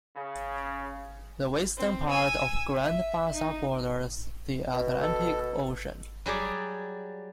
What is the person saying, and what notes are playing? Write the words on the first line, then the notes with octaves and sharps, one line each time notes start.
The western part of Grand Bassa borders the Atlantic Ocean.
C#3
C4
G#5 E6
E5
D#4
B2
A4
F#3 G3 G#4 D5